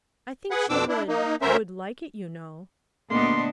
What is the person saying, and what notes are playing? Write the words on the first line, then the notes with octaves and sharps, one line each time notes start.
"I think she would,--would like it, you know."
G#4 B4 F#5
F2 B2 C4 D4 D6 E6
D4 E4
A#3 D#4
D2 B3 C#4 A#4 C5 E5
D2 A#2 A#3 B3 D4 D#5 C6